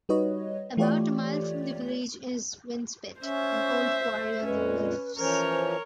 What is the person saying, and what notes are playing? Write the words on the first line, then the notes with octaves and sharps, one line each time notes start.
About a mile from the village is Winspit, an old quarry on the cliffs.
G3 D#4 F#4 B4 C#5 D#5
E3 A3 F4 G4 C#5 D5
C#4 C5 E5
F2 A#2 G#3 C#4 B4
E3 F3 C#4 A#4 C5 C#5